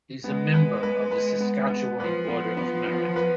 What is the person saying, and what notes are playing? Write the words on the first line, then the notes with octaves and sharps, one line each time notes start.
He is a member of the Saskatchewan Order of Merit.
G#3 B3
B4
B4
B4
B3
B3
F3 B4
B3
B3
B3
B4